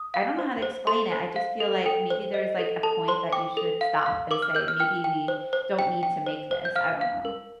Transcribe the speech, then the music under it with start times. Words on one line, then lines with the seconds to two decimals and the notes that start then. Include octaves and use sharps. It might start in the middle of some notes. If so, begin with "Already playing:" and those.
I don't know how to explain it, I just feel like maybe there's, like, a point that you should stop and say, "Maybe we don't need to make this." I don't know.
Already playing: D#6
0.14 F5
0.39 C5
0.62 C5
0.87 A4 C6
1.12 C5
1.36 F5
1.60 A4
1.86 A4 G5
2.10 C5
2.34 D#5
2.59 A4
2.83 A4 A5
3.08 C5 C6
3.33 G5 D6
3.57 A4
3.81 F5
4.06 F5
4.31 A#4 D6
4.42 F6
4.55 A#4 G6
4.68 F6
4.80 G5 F6
5.04 G5
5.28 C5
5.53 C5
5.79 G5
6.03 G5
6.26 C5
6.51 C5
6.65 G6
6.76 F5 F6
7.01 F5
7.25 A#4